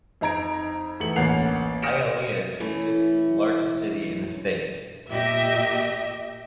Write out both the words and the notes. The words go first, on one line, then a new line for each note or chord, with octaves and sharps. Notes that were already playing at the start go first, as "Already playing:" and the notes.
Hialeah is the sixth-largest city in the state.
F2 D#4 A#5 G#6 D7
E2 A3 C#7 F#7
A1 D2 A#3 F#5 C7 F7
D#6 F6 A#6 C#7 D7 E7
E3 A3 C#4
A#2 G4 D#5 E5